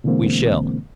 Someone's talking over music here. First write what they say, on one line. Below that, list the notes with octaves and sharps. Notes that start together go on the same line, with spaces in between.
We shall.
B2 D3 E3 G#3 A#3 C4